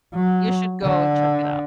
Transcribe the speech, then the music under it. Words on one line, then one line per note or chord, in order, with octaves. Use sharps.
You should go and check it out.
F#3
D3